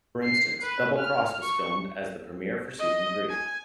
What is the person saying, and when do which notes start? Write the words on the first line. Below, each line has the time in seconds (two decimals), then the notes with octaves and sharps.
For instance, "Double Cross" was filmed as the premiere for Season Three.
0.25 C7
0.63 B4
0.98 F6
1.43 C#6
2.79 D#5
3.29 G#5